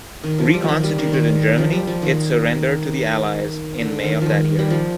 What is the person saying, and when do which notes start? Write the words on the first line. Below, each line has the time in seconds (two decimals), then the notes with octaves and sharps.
Reconstituted in Germany, it surrendered to the Allies in May of that year.
0.24 D#3
0.39 F3
0.54 G3
0.62 F3
0.68 D#3
0.84 G3
0.98 D#3
1.13 D#3
1.58 F3
1.73 G3
1.87 F3
2.02 D#3
3.81 D3
4.03 D#3
4.21 D#3 F3
4.59 G3
4.70 F3